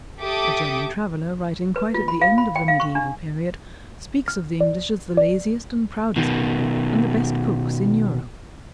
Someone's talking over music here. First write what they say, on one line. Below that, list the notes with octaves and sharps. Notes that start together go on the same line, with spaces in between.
A German traveller, writing quite at the end of the mediaeval period, speaks of the English as the laziest and proudest people and the best cooks in Europe.
G4 A4 E5 D6 D#6
B4
F4
B5
F5
B5
G5
F5
C#6
D4
F6
D5
D5
B2 D#3